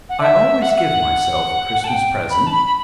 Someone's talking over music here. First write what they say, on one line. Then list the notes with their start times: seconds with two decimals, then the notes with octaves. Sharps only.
I always give myself a Christmas present.
0.09 F#5
0.20 E5
0.62 F#5
0.69 E5
0.76 F#5
1.84 A5
1.87 G5
2.30 B5
2.47 A5
2.51 B5
2.66 B5